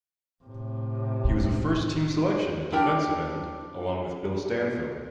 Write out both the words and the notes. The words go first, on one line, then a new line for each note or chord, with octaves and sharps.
He was a First-team selection at defensive end along with Bill Stanfill.
A2 C3
D4 E4 G4 A#4 G5